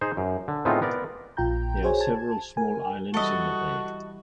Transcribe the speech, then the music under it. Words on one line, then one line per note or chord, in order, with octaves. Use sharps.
There are several small islands in the bay.
D#4 G#4 C5
F#2
D3
A2 G#3 B3 C4 D#4 F4
B3 A#4 D5
A#1 A#2 F4 G5 A#5 G6
F#4 G#4 C5 C#5 G#5
A5 G#6
A#4 G#5
E3 G3 E4 F#4 A4 D#5